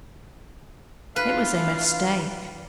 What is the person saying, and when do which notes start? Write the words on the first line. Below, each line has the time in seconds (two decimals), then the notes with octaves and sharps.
It was a mistake.
1.16 D4 E4 F4 B4 F5